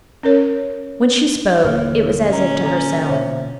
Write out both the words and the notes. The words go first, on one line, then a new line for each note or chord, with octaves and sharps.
When she spoke, it was as if to herself.
C#4 A#4 C#5
D#1 D3 E3 F3 A#3 A4 C#5 F6
A#2 D3 C#4 D#5 A#5
A4 A#5
B2 C5 C#5 E5